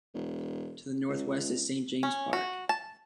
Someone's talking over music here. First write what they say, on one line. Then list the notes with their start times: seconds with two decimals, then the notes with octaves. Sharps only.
To the northwest is Saint James' Park.
0.14 E1
1.09 C#2
2.03 C#4
2.33 F#4
2.69 A5